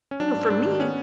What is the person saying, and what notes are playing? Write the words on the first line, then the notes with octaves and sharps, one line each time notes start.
You know, for me,
C#4
F#3 D4
G#2
G#2 D4
D#3
B3 C#4